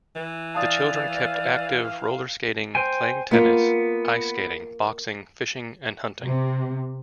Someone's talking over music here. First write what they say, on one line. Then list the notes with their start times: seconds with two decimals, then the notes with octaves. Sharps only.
The children kept active roller-skating, playing tennis, ice-skating, boxing, fishing and hunting.
0.16 E3
0.55 D5 F5 A5 D#6
2.75 C5 G5 G#5
3.31 A#3 B3 F4
6.23 C3